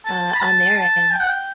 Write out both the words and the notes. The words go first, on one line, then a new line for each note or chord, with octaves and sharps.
uh, on their end,
A5
B5
A5
A5
G5
F#5
G5